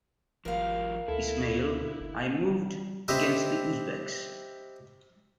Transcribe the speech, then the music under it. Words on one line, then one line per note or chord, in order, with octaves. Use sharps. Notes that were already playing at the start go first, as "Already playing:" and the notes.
Ismail I moved against the Uzbeks.
G#1 F3 G3 A#4 F5
D2 E4 A4
G1
C4 G4 B4 D#5 E5